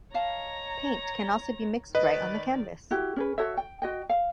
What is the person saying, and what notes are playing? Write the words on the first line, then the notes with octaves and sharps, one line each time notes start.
Paint can also be mixed right on the canvas.
C#5 D#5 F5 A5 A#5
D#3 B4 D5 D#5
E4 F#4 G4
C#4 G#4 B4
F#4 A4 C#5 E5
G5
F#4 D#5 G5
F5